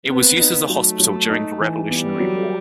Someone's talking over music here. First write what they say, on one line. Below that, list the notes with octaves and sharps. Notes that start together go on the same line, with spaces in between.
It was used as a hospital during the Revolutionary War.
B3 C4
D#4
F#3 A3
F#3
D#4
E3
G3 B3
F#3